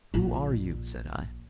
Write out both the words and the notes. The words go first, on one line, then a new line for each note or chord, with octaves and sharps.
"Who are you?" said I.
A#1 F4